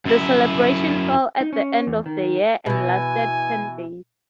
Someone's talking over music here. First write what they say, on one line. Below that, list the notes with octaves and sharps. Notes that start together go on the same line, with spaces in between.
The celebration fell at the end of the year and lasted ten days.
F#2 E4
D#4
C#4
E2
D#3
B2 E3 G#5